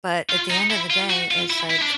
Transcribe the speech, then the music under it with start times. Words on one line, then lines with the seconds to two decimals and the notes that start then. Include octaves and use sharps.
but at the end of the day, it's like,
0.30 F4
0.50 D#4
0.70 E4
0.90 F4
1.10 F#4
1.31 F4
1.50 E4
1.70 E4
1.82 D4